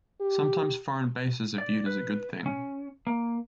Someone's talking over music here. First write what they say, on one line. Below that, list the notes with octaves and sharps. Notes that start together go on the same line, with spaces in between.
Sometimes foreign bases are viewed as a good thing.
G4
D5
B4
C#4
A#3